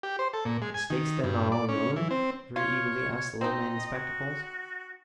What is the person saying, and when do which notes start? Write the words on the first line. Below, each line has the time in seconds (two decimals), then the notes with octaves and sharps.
"The stake's then not all your own?" very eagerly asked the little man in spectacles.
0.03 G4
0.19 C5
0.33 A4
0.45 A#2
0.62 G#3
0.74 G#5
0.90 D#3
1.24 G2
1.52 D5
1.69 C#4
1.96 E3
2.11 C4
2.56 F4 C#5
3.41 C4 D#4 D#5
3.94 F#4